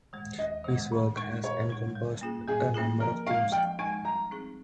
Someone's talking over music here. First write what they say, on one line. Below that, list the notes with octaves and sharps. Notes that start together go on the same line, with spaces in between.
His work has encompassed a number of themes.
D#3 G#3
D#2 D#5
D#3 G#3
A#2
G#3 D#4 A#4
A#2 C#5
G#3 D#4 A#4
G3
A#3 C#4 F4 G#4
G3 G#4
A#3 C#4 F4 G#4
F3 A#4
G#3 D#4 F5
F3 G5
G#3 D#4 G#5
G3 A#5
C4 D#4 G#4